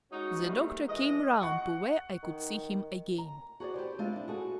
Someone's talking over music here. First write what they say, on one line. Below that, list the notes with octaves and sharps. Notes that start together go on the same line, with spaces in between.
The doctor came round to where I could see him again.
G#3 C#4 D#4 F#4
C3 D#3 G3 A3 A#3
E3 G#3 D#5
F#5 C#6
D#3
A#5
F#4 G#4 C5 D5
G4 B4 C5 D5
G#3 C4 D4 F4
D4 E4
F#4 G#4 A4